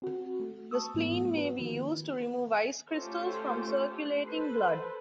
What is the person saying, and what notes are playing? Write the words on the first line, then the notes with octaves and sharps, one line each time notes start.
The spleen may be used to remove ice crystals from circulating blood.
C4 F#4
A3
A5 C#6 D#6 E6
G#2 E3 F#3 A3 B3
F#4 B4
D#3 F3 A#3
A3 C#4 F4 G4 A4 C5
A4 B4 C5